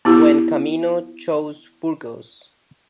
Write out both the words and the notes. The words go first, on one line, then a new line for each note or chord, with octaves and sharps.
Buencamino chose Burgos.
B3 E4 G4